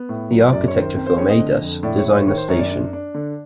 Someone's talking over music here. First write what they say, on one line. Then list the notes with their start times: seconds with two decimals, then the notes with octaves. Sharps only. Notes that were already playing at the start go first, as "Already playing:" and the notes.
The architecture firm Aedas designed the station.
Already playing: B3
0.09 A2
0.31 F#3
0.52 F#2 D5
0.68 C#5
0.74 D#3
0.81 C5
0.96 C4 C5
1.07 C5
1.18 C4 C#5
1.30 D#5
1.39 D3
1.61 F2
1.83 A2 D5
1.98 C#5
2.05 A2
2.13 C#5
2.27 D#3 C#5
2.38 C5
2.49 F#2 C#5
2.59 D5
2.71 D4
2.93 D4
3.14 D3